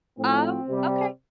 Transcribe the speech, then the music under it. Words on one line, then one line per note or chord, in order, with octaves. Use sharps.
Oh, okay.
A2 F3 C4
C3 G3